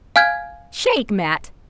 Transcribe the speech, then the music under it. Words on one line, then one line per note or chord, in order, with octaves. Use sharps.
Shake, Matt!
F5 G#5 F6 G6 G#6